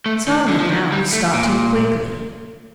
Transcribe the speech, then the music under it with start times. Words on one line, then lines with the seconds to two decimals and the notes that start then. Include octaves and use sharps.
Solomon Owl stopped him quickly.
0.06 A3
0.28 D#3
0.48 D3
0.60 F3
0.70 D#3
0.92 G3
1.13 A3
1.34 A#2